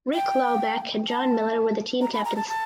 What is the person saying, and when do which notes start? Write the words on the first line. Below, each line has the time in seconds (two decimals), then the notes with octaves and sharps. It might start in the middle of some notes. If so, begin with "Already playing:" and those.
Rick Laubach and John Miller were the team captains.
0.14 G5
1.09 A5
2.01 A#5
2.13 B5
2.25 A#5
2.36 A5
2.48 A5